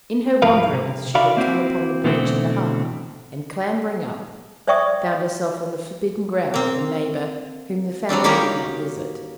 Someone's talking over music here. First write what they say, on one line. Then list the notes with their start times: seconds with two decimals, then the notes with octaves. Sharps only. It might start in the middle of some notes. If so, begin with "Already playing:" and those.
In her wanderings she had come upon the breach in the ha-ha, and, clambering up, found herself on the forbidden ground of a neighbor whom the family did not visit.
0.42 C2 G#2 F3 A#4 B4 F5
0.73 C3
1.15 F#4 D5 E5 F5 B5
1.37 A#3 C4 E4 F#4
2.04 B2 D3 E3 A3 C4
4.67 C5 D5 E5 G5 C#6 D#6
6.54 A#3 C4
8.09 F#3 G3 C4 D4
8.24 D#3 A#3 C#4 F#4 G4